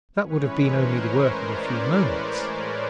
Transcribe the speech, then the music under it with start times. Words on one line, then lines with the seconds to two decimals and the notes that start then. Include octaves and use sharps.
That would have been only the work of a few moments.
0.23 A2 E3 G#3 C#4 B4 C#5
0.61 A#4 C5
0.99 A#4 C5
1.37 C5 D5